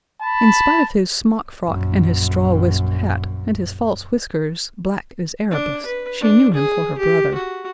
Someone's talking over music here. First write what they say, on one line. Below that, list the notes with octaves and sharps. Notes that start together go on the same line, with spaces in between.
In spite of his smock-frock and his straw-wisped hat, and his false whiskers, black as Erebus, she knew him for her brother.
A5 B5
A#1 F#2
D4
B4
D4
G#4
G4
F#4